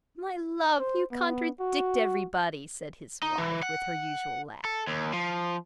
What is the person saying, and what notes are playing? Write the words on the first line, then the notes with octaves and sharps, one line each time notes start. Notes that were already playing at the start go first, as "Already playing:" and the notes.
"My love you contradict every body," said his wife with her usual laugh.
C5
B3
F#4
D#4
E3
F#5
A4
D#2
F3